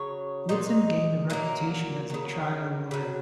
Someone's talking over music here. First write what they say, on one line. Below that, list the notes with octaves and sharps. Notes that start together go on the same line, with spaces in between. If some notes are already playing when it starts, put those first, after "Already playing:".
Woodson gained a reputation as a trial lawyer.
Already playing: C#3 F#3 C#5
A#2 G#3 D#4
A#2 F#3 A#3
C#3 F#3
C#3 F#3